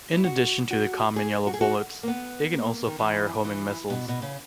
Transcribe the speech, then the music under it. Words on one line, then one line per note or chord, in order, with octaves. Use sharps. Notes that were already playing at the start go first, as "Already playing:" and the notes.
In addition to the common yellow bullets, they can also fire homing missiles.
E4
F#4
F#4
G#4
F#4
G#4
F#4
A#3
B3
A#3
D#3
E3
E3
B2
B2
C#3